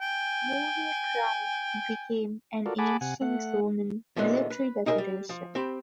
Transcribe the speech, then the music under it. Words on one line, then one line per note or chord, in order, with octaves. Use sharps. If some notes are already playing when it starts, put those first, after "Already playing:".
The mural crown became an ancient Roman military decoration.
G5 G#5
F4 F#4 A4 A#4 D5
G#4 F#5 G#5 A5 B5 D6
C3 F#5 G#5
A3 F#5
A#2 D3 E3 F#3 G#3 B3
B4
D#4 E4 G#4 A#4 E5
G3
F3
C4 G4 B5